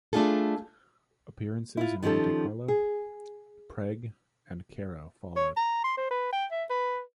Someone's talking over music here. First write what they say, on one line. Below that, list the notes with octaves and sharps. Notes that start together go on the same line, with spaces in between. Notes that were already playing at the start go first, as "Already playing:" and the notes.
Appearances in Monte Carlo, Prague, and Cairo followed.
G3 A3 D4 F4 G#4 A4
E4 F4
D#3 F3 C#4 G4 A4
G#4
C#5
A#5
C6
C5
B4
G5
E5
B4